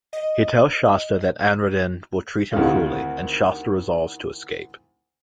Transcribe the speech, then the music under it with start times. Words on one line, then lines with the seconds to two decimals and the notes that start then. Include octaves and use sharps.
He tells Shasta that Anradin will treat him cruelly, and Shasta resolves to escape.
0.13 D#5
2.52 D2 C3 D#3 E3 A#3 F5